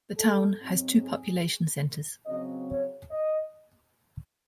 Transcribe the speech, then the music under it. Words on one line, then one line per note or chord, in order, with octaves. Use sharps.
The town has two population centers.
A4
G#2 F#3 C4
G#4
C#3 F#3 C4 D#5
C#5
D#5